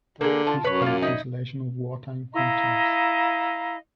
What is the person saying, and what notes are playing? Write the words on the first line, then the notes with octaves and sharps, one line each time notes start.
Peace brought cancellation of wartime contracts.
D3 A#3 G#4
F4 A5
F#2 B4 C#5
A#3 F4
D#4 E4 D#5
E4 D#5 F5 A#5